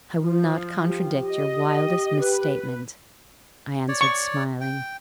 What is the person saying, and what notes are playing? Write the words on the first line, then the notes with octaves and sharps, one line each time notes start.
'I will not contradict your wildest misstatement,' I answered, smiling.
F3
G4
D#5
B4
C#5 D5
C#6
G5